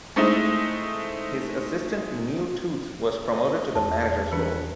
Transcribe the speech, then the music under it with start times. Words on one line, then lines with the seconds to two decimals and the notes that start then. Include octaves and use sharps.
His assistant Neil Tooth was promoted to the manager's role.
0.16 G#3 A3 C4 D#4 E4
3.33 D#5
3.75 E2 A5
4.32 E3 C#4 D4 B4